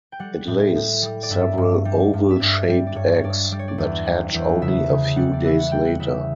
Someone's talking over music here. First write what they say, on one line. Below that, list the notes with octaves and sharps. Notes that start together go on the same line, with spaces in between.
It lays several oval-shaped eggs that hatch only a few days later.
G5
G3 F#5
A2
A2
G3
D5
G2 E5
G2
G3
G2
E5
G2 D5
G3
D5
G2 C#5
C#5
G2 D5
G3 D5
C#5
D5
E2
G3
E2
C#3 E5
C#3
G3 F#5
D5
E3 E5
F#5
G3 G5
F#5
C#3 E5